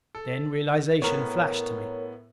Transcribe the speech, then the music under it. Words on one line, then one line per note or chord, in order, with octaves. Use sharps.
Then realization flashed to me.
A4
A2 B3 A#4 C#5